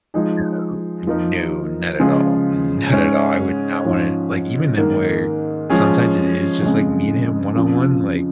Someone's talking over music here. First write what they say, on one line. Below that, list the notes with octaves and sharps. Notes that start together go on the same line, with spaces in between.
No, no. Not at all. Not at all. I would not wanna like, even then where sometimes it is just, like, meeting him one on one, like,
F3 G#3 D#4 G#4
F3 A#3 D#4 A#4
C#3 F3 G#3 F4 G#4
G#2 G#3 C#4
G#2 F3 C#4 F4
G#2 D#3 A#3
F3 G#3 C#4 G#4
F2 C#3 G#3
F2 C#3 F3